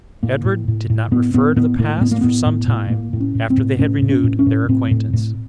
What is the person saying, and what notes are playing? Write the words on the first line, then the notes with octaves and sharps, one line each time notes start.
Edward did not refer to the past for some time after they had renewed their acquaintance.
A2 A#3
A2
A2
A2
A2 B3
A2 B3
A2 B3
A2 A#3
A2 B3
A#3
A2 B3
A2
A2
A2 A#3
A2
C#4
A2
C4
A2
A2 C#4
A2
C#4
A2
C#4
A2
A2 C4
A2
A2